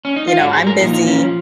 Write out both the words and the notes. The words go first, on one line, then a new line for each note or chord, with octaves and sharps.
you know, I'm busy
C#4
D#4
F4
G#2 F#3 F#4
G#4
A#4
A#2 F3 D#4
D#4
C#4
F3